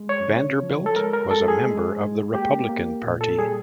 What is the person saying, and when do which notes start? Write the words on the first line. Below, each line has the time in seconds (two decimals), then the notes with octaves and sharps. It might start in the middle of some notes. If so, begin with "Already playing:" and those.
Vanderbilt was a member of the Republican Party.
Already playing: G#3
0.09 C#5
0.27 C#3
0.62 F3
0.86 A4
0.96 G#3 A#4
1.13 A#4
1.31 G#3 A4
1.48 G#4
1.66 G#3
2.00 G#3
2.35 A#3 G4
2.69 A#3
3.04 A#2
3.21 A4
3.39 G3 G#4